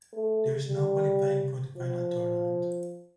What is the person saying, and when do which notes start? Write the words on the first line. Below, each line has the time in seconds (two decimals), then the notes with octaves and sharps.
There is no qualifying for the final tournament.
0.13 A3
0.68 G3
1.77 F3